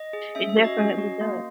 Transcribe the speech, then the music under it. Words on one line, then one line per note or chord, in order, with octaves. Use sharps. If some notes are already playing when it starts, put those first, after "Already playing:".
it definitely does.
Already playing: D#5
G#4
C#4 E5
E5
F#4
D#5
C#4
F#4
A#3